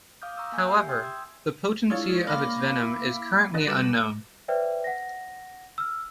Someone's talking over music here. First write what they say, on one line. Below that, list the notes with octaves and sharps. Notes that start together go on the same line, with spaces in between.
However, the potency of its venom is currently unknown.
F5 D6 D#6 F6 G6
A#5 C#6 D#6 E6
A#3 G#5 G6
G4 E5
G5 C6 D#6 G6
E6 G#6
G#3 D4 E4 F4 C#5 C#6 A6
A#3 F5 B5 D6
E4
D3 D#5 F#6 A6 A#6
G3 F#4 A4 B4 E7
B4 C5 D5 E5 G5
F#5 A#6
E6 F6